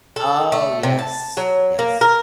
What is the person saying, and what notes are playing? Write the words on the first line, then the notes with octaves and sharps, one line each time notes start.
Oh, yes, yes.
A4
A3
C3
A5
F#3
A#3
A#4